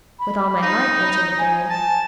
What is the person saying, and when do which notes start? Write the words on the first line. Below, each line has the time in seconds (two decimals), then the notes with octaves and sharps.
"With all my heart," answered the Fairy.
0.19 B5
0.63 D#4
1.39 G#5
1.70 A5